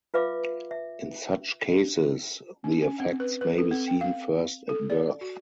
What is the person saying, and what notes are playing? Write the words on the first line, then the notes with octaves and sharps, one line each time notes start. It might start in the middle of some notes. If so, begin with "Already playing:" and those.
In such cases, the effects may be seen first at birth.
F4 B4 E5 F5 D6
E5
D4
C#4
C4
B4
B4
A4
C4
G5
F5
A4
D5
F#4